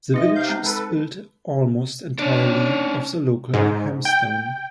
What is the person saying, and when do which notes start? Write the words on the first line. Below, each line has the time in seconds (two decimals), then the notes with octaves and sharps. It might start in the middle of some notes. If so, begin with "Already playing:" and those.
The village is built almost entirely of the local hamstone.
0.14 D#4 B4 D#5 E5
0.35 C3 F5 G6
0.48 G#3 C4 A#5
0.64 A4 B4
2.19 C#4 D4
3.54 G#2
4.05 G5